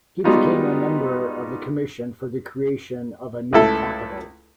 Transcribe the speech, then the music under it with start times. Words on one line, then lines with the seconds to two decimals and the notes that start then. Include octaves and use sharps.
He became a member of the commission for the creation of a new capital.
0.24 G3 G#3 B3 D#4 F4 F#4
3.53 C#2 A3 E4 A4